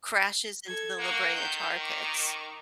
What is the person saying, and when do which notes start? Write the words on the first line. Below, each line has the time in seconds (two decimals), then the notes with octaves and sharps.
crashes into the La Brea Tar Pits.
0.67 A4 G#6
0.99 A#3 F#5 C#6
1.35 D#3 G6
1.78 C#6 D6